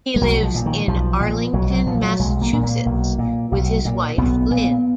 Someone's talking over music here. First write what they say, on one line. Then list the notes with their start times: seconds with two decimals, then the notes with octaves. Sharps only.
He lives in Arlington, Massachusetts with his wife Lynn.
0.16 G#3
0.21 B1 F#3
0.43 F3
0.55 A#2
0.66 D#3
0.88 B1 F3
1.20 A#2
1.53 B1 F#3
1.70 F#3
1.87 A#2 F3
2.03 F#3
2.19 B1 G#3
2.41 A#3
2.53 A#2
2.63 A#3
2.86 B1
3.19 A#2
3.52 B1
3.85 A#2
4.18 B1 B3
4.51 A#2